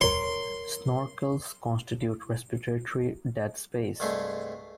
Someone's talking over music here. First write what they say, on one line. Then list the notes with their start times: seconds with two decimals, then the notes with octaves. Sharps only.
Snorkels constitute respiratory dead space.
0.01 A#4 C#5 C6
4.00 C2 G2 G#3 A3